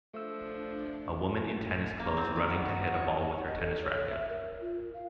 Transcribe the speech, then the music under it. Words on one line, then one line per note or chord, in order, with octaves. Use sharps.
A woman in tennis clothes running to hit a ball with her tennis racket.
F3 A3 D4 E6
A#3
C4
D#3
B3
F#4
C#5
D#5
A4
C#5
E5
A#4
F4
F5